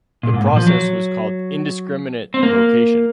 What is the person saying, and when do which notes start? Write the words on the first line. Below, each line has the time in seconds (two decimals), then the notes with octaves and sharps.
The process was called 'indiscriminate location.
0.23 A#2
0.34 G#2
0.46 A#2
0.56 F3
0.67 F#3
2.34 C4
2.43 A#3